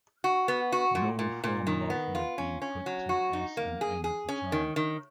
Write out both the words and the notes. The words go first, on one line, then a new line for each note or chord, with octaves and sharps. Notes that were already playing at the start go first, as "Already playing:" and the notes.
No formal offer had been put to S and N at the time.
F#4
B3
F#4
A#2
A#2
A#2
D#3
B3
F4
C#4
C#4
F#3
F#4
D#4
A#3
G#4
G#4
C#4
D#3
D#3